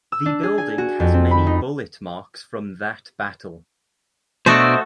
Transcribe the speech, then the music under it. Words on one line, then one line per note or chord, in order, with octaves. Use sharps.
The building has many bullet marks from that battle.
E6
D4
G#4
G#5
F#4
F2
C4
B5
D#4
B2 A3 D4 F#4 A4 C5 D#5 E5